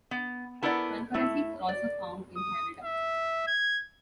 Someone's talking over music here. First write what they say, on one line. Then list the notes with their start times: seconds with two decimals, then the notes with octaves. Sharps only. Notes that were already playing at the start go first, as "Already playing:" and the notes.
Concurrencies are also found in Canada.
0.11 B3
0.63 B3 E4 A4 A#4 D5 F#5
1.14 A3 E4
1.69 D5
2.36 D#6
2.84 E5
3.47 G#6